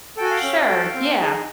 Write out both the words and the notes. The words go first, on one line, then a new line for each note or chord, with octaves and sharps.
Sure, yeah.
F#4 A4 G5 G#5
F5 G5
C#4
F#4 A4
C4
D#4 G#4